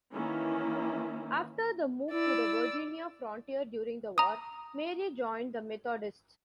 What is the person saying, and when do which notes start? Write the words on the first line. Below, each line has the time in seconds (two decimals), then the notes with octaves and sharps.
After the move to the Virginia frontier during the war, Mary joined the Methodists.
0.13 D#3 E3 A#3 C#4 E4
2.12 E4 D5 E6
4.18 A#5 D#6